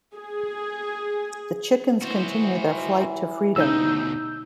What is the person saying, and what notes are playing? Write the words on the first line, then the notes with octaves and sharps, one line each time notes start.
The chickens continue their flight to freedom.
G#4
E3 F#4 C5
D2 B2 D#4 E6 G6